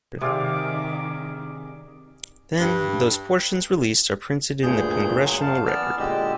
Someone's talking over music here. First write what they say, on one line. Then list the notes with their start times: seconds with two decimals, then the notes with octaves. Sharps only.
Then, those portions released are printed in the Congressional Record.
0.21 C3 D#3 G#4 D5 F5 D6
2.59 G2
4.63 D2 G2 A#2 G#4 G6
5.23 F#3
5.41 F#2 F5 A5
5.66 E3 B3 D5 E6 F6
5.99 A#2 D3 G#3 G4 D#5 E6